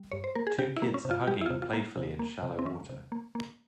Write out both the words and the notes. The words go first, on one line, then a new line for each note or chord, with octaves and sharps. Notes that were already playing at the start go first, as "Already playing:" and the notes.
Two kids are hugging playfully in shallow water.
Already playing: G3
G2 C#5
C5
A#3 A#4
G#4
C3 G4
E4
A#3
C#4
C3
F4
G3 G4
E4
C3 F4
F4
A#3
C3
A#3
C3
C4
E3 C#4
C3
A#3
A#3